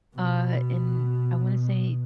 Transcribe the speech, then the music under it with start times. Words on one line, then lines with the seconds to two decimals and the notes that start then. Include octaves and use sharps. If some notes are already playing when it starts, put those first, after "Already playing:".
uh, and I wanna say
0.15 B2